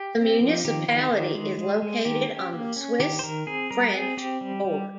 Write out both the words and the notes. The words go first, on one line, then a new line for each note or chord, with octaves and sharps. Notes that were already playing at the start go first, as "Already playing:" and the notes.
The municipality is located on the Swiss-French border.
Already playing: G4
C4
F3
D#3 G4
D#3
D#3
G#3
G#3
G#3
D#3 G4
C#4
A#3
C#4
D#3 G4
C5
D#3 A#4
C4 G#4
G3 A#4
C4 G#4
C4 G4
G3
G3